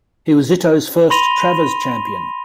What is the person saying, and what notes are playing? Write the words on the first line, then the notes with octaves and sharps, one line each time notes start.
He was Zito's first Travers champion.
B5 C6 A#6 D#7 F7 G7